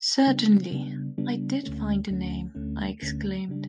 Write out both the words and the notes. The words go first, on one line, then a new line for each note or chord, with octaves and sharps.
Certainly, “I did find the name,” I exclaimed!
C#3 G3 B3 D4
C#3 G3 B3 D4
C#3 G3 B3 D4
D2 D3 A3 C#4
D2 D3 A3 C#4
D2 D3 A3 C#4
D2 D3 A3 C#4
C#3 G3 D4